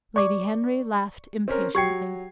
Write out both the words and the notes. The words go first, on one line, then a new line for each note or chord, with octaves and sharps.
Lady Henry laughed impatiently.
D5 C#6 D6
C4 C#4 A#4
F#3 G4 G5 G#6 C7